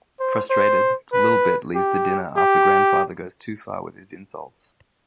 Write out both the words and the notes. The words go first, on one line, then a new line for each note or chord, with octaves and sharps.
Frustrated, Li'l Bit leaves the dinner after Grandfather goes too far with his insults.
C5
C5
B4
G4
G4